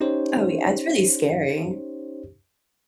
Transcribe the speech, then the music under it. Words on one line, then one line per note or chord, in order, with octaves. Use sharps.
Oh, yeah. It's really scary.
C#4 D#4 G4 C5 C#5